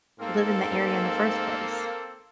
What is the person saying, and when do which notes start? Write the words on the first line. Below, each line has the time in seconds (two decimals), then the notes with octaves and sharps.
live in the area in the first place?
0.20 G#2 A#3 C4 A4